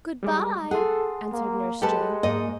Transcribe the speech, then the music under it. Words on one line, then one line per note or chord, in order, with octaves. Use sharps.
"Good-bye!" answered Nurse Jane.
G3 G#3 D6
G#4 A4 F#5 C6
A#3
G#3 G4 A4 B4 A5
G#2 A#3 D#5